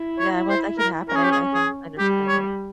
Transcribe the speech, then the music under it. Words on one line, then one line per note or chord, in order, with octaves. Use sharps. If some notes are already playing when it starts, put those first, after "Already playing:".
Yeah. Well, that could happen. I I can understand that.
Already playing: E4
C#5
C5
A#4
C#4 A#4
G#4
G4
G#4
G#4
G3 G4
C#5